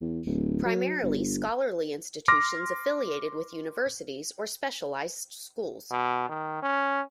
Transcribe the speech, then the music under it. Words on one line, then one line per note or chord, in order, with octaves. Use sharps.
Primarily scholarly institutions affiliated with universities or specialized schools.
E2
D1
F#3
G1
C6 D6 F6 A#6
B2
D#3
C#4